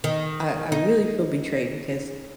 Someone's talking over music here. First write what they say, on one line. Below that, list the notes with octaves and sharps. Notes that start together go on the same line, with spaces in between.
I I really feel betrayed because
D#3
D#4